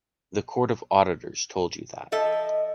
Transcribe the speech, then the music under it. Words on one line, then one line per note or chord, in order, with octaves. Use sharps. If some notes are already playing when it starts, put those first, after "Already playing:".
The Court of Auditors told you that.
F3 A4 D#5 E5